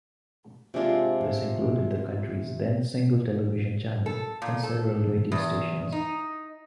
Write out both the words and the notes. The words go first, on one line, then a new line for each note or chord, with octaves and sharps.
This included the country's then-single television channel and several radio stations.
C3 G#3 D4 F4
A4
A#2
A4
E2
D#4